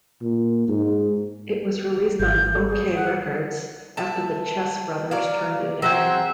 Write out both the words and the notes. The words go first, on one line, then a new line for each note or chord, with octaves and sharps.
It was released on Okeh Records, after the Chess brothers turned it down.
A#2
G#2
G#1 G6
A4
G#4
F#5
E5 A5
F#3 D5 F5
F#3 C4 G#4 C5 E5 F#5